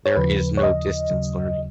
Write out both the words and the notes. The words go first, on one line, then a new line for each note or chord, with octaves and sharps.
There is no distance learning.
C#5
D#2 C#3 F3 B4
C#5
D#5
D#2 C#3 F#3